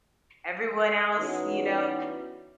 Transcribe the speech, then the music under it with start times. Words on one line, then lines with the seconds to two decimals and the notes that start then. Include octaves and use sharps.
everyone else, you know,
1.17 E3 B3 C#4 D#4 E4 F#4